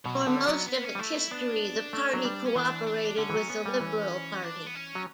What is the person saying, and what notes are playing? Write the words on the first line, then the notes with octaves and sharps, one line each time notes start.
For most of its history, the party cooperated with the Liberal Party.
B2 F#3
D3 G3
F#3 B3
B3
C#4
G3
A3 E4
E4
B3 D4
A3
F#3
G3
C#4
E3 D4
D4
D3 C#4
E3
F#3
B3
G3
E3
D4
B3
C#4
F#3